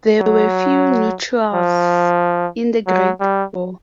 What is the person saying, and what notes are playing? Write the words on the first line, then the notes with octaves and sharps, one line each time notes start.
There were few neutrals in the Great War.
F#3
F3
F#3
G3